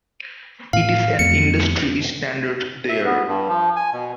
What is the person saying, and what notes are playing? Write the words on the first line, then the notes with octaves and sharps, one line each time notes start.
It is an industry standard there.
A2 E3 F5
F2 A3 B3 C#7
E5
B3
G2
F3
G#5
B2